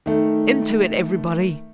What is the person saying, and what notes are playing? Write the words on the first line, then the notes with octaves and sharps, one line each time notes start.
"Into it, everybody!"
D#3 A3